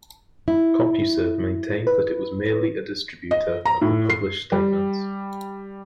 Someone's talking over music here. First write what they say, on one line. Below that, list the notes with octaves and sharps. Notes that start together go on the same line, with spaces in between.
CompuServe maintained that it was merely a distributor of the published statements.
E4
B4
D#5
A#5
A2
C7
G3